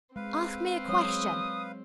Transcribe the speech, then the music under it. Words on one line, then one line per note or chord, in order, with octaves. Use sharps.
"Ask me a question."
G#3 C4 B4 F5
F#3 G#3 C#5 D#6